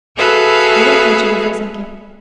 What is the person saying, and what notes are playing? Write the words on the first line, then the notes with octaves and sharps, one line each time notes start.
We looked at each other for a second.
F#4 G#4 A4 B4 E5 F5